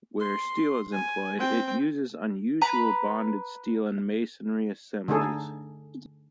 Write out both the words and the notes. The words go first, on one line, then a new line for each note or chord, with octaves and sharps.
Where steel is employed, it uses unusual bonded steel and masonry assemblies.
C6
G#5
C4 G5
B4 A#5 B5
D3 A3 D#4 G#4 A4